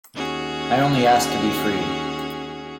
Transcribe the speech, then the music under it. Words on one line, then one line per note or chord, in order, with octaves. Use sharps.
I only ask to be free.
D#2 C#4 F#4 G#4